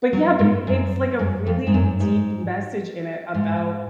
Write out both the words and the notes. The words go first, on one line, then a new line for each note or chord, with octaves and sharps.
but yeah but it it's like a really deep message in it about
F#3
G#2
F#2
F#2
F2
G#2
F#2
G#2
G#2